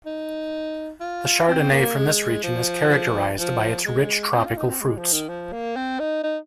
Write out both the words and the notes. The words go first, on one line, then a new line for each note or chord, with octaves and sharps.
The Chardonnay from this region is characterized by its rich, tropical fruits.
D#4
F4
C4
A#3
G#3
F3
F3
G#3
C4
F4
D#4
C4
G#3
F3
D#3
F3
A#3
C4
D#4
D#4